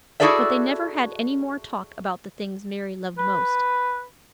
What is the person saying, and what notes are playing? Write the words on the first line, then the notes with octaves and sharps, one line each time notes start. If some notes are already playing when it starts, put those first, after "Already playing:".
But they never had any more talk about the things Mary loved most.
E4 F#4 G#4 A4 D5 E5
B4